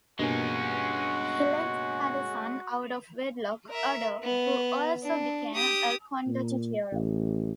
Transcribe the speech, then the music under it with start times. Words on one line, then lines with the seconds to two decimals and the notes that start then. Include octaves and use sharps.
He later had a son out of wedlock, Oddo, who also became a condottiero.
0.19 G2 B2 G#3 A#3 C#4 F#4
3.70 A#4 E5
4.23 B3
5.03 D4
5.54 G4 D#6
6.27 A#2
6.92 A1